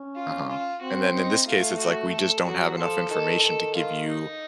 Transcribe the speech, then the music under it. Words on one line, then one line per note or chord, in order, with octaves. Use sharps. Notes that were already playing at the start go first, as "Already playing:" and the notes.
Uh-huh, and then in this case, it's, like, we just don't have enough information to give you
Already playing: C#4
F4
F4
C4 F#4
D#4
A3 F4
F#4
A4
F#3 F#4
F3 A4
D#3 A4
D#3
F4
D#4